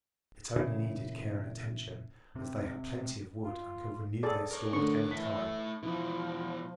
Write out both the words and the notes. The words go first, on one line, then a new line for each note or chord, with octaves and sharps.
It only needed care and attention, as they had plenty of wood and could renew their store at any time.
A#2 C#3 E3
C3 C4
F4
G#4 A4 D5
A#4 C#5
D3 A3 C#6
E3 A3 E4 B6
B2 E3 F3 E4